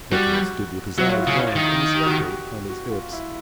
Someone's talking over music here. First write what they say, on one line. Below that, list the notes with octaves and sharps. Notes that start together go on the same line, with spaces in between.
Bechamel stood with his eyes round and his knuckle on his hips.
G3 F#4
F#3 F#4
F4
E4
C#3 F4
D#3
G4
F#4
G4
F#4
F4
E4